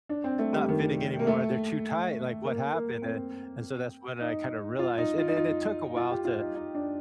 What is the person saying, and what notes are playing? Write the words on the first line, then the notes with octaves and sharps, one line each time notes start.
not fitting anymore, they're too tight, like, what happened?" Eh, and so that's when I kinda realized and then it took a while to
D4
C4
A3
G3
D#3
A#3
A3
A#3
A#3
C4
D#4
F4
D#4
F4
D#4
F4
F4
G4
F4
D#4
D#4
D4